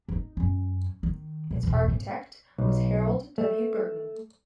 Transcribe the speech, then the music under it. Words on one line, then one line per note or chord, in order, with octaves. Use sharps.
Its architect was Harold W. Burton.
D4 D#4
F#2 C#4
D#3
B2
E1 E2
G#2 C3
B1
A3